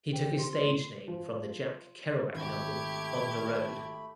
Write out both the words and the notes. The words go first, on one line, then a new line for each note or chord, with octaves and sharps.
He took his stage name from the Jack Kerouac novel "On the Road".
C3 G5
C6
A2
F3
G#1 A3 G4 B5 G#6